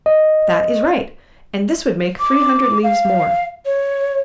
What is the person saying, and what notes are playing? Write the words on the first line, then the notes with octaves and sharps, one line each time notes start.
"That is right; and this would make three hundred leagues more."
D#5
D6
F5
C#5